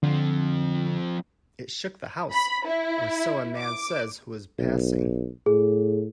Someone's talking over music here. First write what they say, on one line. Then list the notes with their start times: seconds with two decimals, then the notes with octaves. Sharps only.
It shook the house, or so a man says who was passing.
0.03 D3 F3 C4
2.32 B5
2.67 E4
3.58 D6
4.58 B1
5.46 A2 G#4